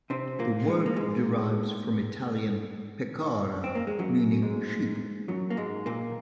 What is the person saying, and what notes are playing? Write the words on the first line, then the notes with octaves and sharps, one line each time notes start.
The word derives from Italian "pecora" meaning sheep.
C3 C4
A#2 A#3
G#2 G#3
A#3
G#2 G#3
C4
A#3
G#3
F#2 F#3
G#2 G#3
F#2 F#3
A#3
G#2 G#3
A#2 A#3